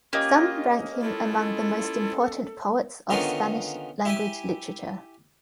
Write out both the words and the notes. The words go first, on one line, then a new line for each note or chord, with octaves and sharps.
Some rank him among the most important poets of Spanish language literature.
A#3 C#4 F4 G4 D#5
E4 F4 A4
D3 D#3 B3 C#4 F4 A#4
E4 G4 G5 G#5